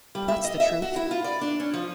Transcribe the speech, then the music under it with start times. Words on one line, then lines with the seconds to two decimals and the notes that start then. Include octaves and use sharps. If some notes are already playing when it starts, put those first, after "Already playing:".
That's the truth.
0.15 G3
0.28 E5
0.44 D#5
0.60 E5
0.82 F#4
0.96 E4
1.11 F4
1.24 D5
1.41 D4
1.60 C#4
1.74 F3